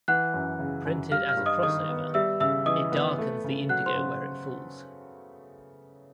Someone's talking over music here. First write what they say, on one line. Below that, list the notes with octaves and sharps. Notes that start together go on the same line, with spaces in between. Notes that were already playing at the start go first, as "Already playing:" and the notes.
Printed as a crossover, it darkens the indigo where it falls.
E3 F#5 F#6
F#2
C#3
F#2
G3 F5 F6
F5 F6
G2
D#5 D#6
D#3 D#5 D#6
B3
G3 E5 E6
C#3 E5 E6
E3 D#5 D#6
B3
A3
C#3
F#3 F#5 F#6
C5 C6
C#3